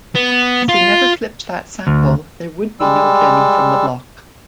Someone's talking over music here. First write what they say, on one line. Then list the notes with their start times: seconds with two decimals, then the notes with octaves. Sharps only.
If we never flipped that sample, there would be no Jenny From The Block.
0.15 B3
0.69 F4
1.87 D2
2.80 G3 G#3 E6